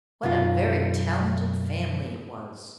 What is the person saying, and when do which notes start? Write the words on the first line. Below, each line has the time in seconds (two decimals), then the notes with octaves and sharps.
What a very talented family it was!
0.23 B1 F#2 F#3 F4